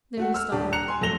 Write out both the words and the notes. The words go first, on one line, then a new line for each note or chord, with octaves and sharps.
Then he stopped.
A3 F#4 F#5
E6 F6
D#1 D4 G4
A#5 F#6 C#7 F7
G#5 C6
A#1 F#2 A3 A#6 F7 G7